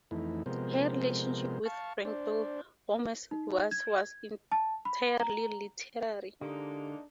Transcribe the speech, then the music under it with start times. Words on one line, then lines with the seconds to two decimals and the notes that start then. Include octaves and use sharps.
Her relationship with Frank Doel, warm as it was, was entirely literary.
0.11 F2 E3 A3 D#4 E4
0.46 C3 F3 G#3 B3 A#4 C5
1.65 F5 A5 C#6
2.05 D4 C5 D5
3.31 D#4
3.71 G#6
4.52 A5
4.85 B5
5.20 A#5
6.41 D3 G#3 A#3 D4 D#4 G4